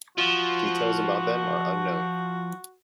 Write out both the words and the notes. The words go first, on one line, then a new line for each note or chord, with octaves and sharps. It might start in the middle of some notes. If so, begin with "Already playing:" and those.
Details about them are unknown.
F3 F#4